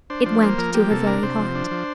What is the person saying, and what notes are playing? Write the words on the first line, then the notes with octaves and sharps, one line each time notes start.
It went to her very heart.
D4 C5
F3 C5
A#3 C5
F3 A#4
A#3 G4
C3 A4
D4 A#4
C3 C5
F3
D4
F3